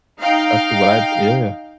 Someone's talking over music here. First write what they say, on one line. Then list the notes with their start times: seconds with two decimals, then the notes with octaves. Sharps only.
that's to what I yeah.
0.19 D#4 F5 G5